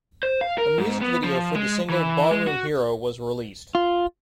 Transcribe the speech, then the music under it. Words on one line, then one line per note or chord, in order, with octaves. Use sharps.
A music video for the single "Barroom Hero" was released.
C5
F5
A#4
G#2
B3
F3
G#3
E3
G#3
F#4
F4